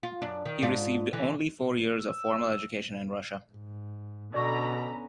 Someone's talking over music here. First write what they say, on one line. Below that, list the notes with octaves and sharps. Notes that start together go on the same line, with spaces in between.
He received only four years of formal education in Russia.
F4
F#2 D4
D#3
G#2 D4 F4
D3 E3
E6
G#2
B2 D3 B3 C#4 D5 A#5 B5 C#6